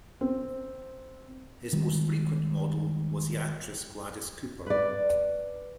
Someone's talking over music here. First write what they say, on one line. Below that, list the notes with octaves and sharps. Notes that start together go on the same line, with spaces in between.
His most frequent model was the actress Gladys Cooper.
C4
D#3 G3 G#3
B4 D5